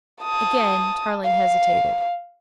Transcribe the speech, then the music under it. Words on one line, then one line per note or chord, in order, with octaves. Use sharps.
Again Tarling hesitated.
A5 D#6
F5